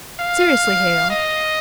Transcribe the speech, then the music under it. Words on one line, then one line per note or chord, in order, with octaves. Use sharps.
Seriously, Hale!
F5
D#5